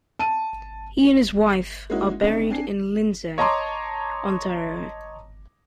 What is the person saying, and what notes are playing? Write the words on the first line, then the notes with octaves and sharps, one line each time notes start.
He and his wife are buried in Lindsay, Ontario.
A5 D#7
G#3 A#3 C#4 D#4 E4 F#4
C#3 A3 C4 D4 D#4
C4 D4 G#5 C7
C#5 D#5 A5 A#5 C6 D6